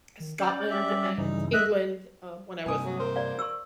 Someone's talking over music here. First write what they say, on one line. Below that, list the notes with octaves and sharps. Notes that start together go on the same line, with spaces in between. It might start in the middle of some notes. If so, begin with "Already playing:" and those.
Scotland and England, um, when I was,
D#3
C#4 D5 G6
G4 E5
G3
G2 C#3 E3 D#4
A4 D#5 E5 F#6
G2 C3 G#5 D#6
F#3
A#4 C5
D5 F5
C#6 E6